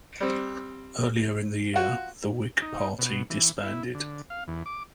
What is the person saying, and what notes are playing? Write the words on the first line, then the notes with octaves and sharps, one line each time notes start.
Earlier in the year, the Whig Party disbanded.
G3 C4
F4 F#4
D#4
B2
E3
E4
D3
F5
E2
D6